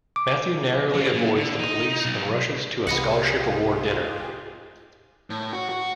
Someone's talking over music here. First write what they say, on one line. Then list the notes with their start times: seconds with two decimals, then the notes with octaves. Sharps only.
Matthew narrowly avoids the police and rushes to a scholarship award dinner.
0.16 D6
0.95 F#3 C4
1.14 A#2
1.36 D3
1.59 D#4
2.05 B1
2.87 C2 B3 F4 G4 G#4 D#5 F#5
5.30 A2
5.53 F#4
5.69 F#4